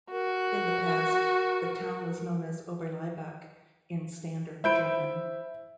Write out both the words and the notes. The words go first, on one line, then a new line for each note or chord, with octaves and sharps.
In the past, the town was known as "Oberlaibach" in standard German.
F#4 A#4
E4 C5 E5 B5 G6 D7